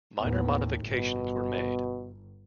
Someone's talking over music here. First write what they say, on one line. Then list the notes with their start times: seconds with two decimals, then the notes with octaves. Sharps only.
Minor modifications were made.
0.20 D#2 A2 B3
0.87 G1 B2